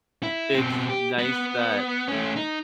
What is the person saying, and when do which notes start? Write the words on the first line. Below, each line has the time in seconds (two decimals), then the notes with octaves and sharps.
it's nice that
0.23 E4
0.55 B2 C4
0.89 G4
1.19 B3
2.08 A3 C#4
2.36 D#4